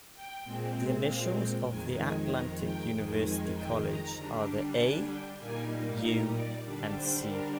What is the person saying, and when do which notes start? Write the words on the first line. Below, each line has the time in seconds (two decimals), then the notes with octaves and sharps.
The initials of the Atlantic University College are the "A", "U" and "C".
0.14 G5
0.45 A#2 G#3 C4
1.07 F5
1.38 G5
1.68 F2 D#3 G#3 G#5
1.99 G#5
2.31 A#5
2.62 G5
2.92 F2 D#3 G#3
3.23 G#5
3.54 G5
3.85 A#5
4.15 D3 G3 D4
4.78 G#5
5.09 G5
5.39 A#2 G3 A#3 D#4 G#5
6.01 A#5
6.32 D5
6.64 D3 G3 D4
6.94 C5
7.25 A#4